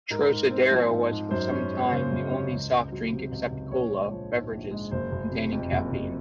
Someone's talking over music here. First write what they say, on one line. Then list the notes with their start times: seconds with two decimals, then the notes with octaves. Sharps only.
Trocadero was for some time the only soft drink except cola beverages containing caffeine.
0.10 G#2 A#4
0.31 G#2
0.50 C4
0.71 F3
0.91 G#2
1.11 G#2
1.31 F#2 C5
1.51 C#4
1.71 G#3
1.92 C#3 C5
2.12 F#2
2.32 C#4
2.51 C#2
2.71 C#2
2.92 F#3
3.12 C3
3.32 C#2
3.52 C#2
3.71 A#1 C#5
3.92 G#3
4.11 F3
4.31 G#2
4.52 A#1
4.71 G#3
4.91 F#1 C5
5.12 F#1
5.31 C3
5.52 F2
5.72 F#1
5.92 F#1